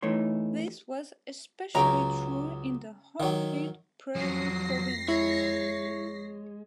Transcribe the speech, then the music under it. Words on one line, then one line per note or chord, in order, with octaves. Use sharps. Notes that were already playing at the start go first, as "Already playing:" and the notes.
This was especially true in the hard-hit Prairie Provinces.
E2 E3 A3 D#4 C#5 C6
C#2 F#3 C#4 G5 A#5
D#3 F#3
F2 F3 F#3 A#6 C7
G#3 E4 C#5